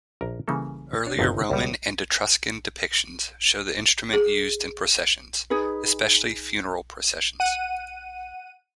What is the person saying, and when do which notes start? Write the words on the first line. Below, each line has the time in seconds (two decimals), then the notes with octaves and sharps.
Earlier Roman and Etruscan depictions show the instrument used in processions, especially funeral processions.
0.21 A#1 A#4 A#5
0.48 C#3 E3 G3 A#3 A4
1.06 D4 C#5
1.19 G1 D#2 C3 D#4 C#5 F5
1.50 C#2 G3
4.13 G#4
5.50 D#4 G#4 B4
7.40 F#5 D#7